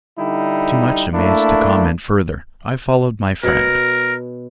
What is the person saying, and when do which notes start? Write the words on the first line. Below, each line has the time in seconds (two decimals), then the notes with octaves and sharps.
Too much amazed to comment further, I followed my friend.
0.19 D3 G3 D#4 E4
1.14 A3 A#3 D4 E4
3.43 B2 A#4 C#5 F#5